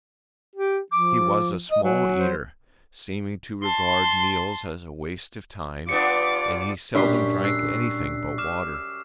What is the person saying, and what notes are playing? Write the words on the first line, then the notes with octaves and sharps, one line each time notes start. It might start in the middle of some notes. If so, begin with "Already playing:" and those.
He was a small eater, seeming to regard meals as a waste of time, and he seldom drank anything but water.
G4
F3 D6
D#5
F#3 G#5
C5
A5 C6
G3 B3 D4 F4 D5 D6 C#7
F#2 A#2 G3 D4 C6 C#6 B6
E6 F#6 C7
D6 F6 E7